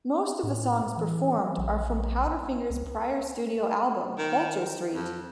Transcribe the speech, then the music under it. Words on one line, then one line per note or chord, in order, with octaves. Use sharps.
Most of the songs performed are from Powderfinger's prior studio album; "Vulture Street".
A2
E3
A#1
C#2
D#3
F2